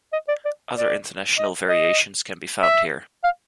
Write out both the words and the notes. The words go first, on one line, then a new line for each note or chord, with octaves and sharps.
Other international variations can be found here.
D#5
D5
D5
D5
D#5
D#5
E5
F5